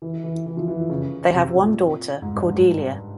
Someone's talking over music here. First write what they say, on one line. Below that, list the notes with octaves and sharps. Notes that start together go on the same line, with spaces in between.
They have one daughter, Cordelia.
E3
E3
E3
F3
E3
C#3
C3
A#2
G#2
G2
G#2